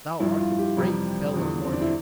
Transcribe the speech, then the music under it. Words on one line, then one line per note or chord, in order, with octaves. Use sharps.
Thou art a brave fellow, mordioux!
G2 F3 E4
F4
G4
F2 C3 E3 G3
E2 D3 F3
C4
D4
E4